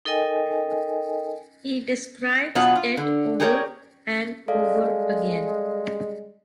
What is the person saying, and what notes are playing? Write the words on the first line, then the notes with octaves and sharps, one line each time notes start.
He describes it over and over again.
D#4 A4 A#4 D#5 G5 G#5
B2 F#3 B3 F4 F#5
F4
D3
G4 G#4 A#4 C#5 D5 G5
G3 G#3 A4 D5 F5